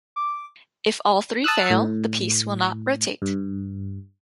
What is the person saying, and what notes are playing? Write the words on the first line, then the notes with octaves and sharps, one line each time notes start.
If all three fail, the piece will not rotate.
D6
A5 D#6 E6 F#6
A2
G2